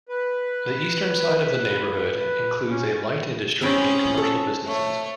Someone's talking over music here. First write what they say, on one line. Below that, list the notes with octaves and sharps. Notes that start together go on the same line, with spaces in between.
The eastern side of the neighborhood includes a light-industry and commercial businesses.
B4
C#4
C4 C#4 G#4 G5 B5
A4
A3 C#5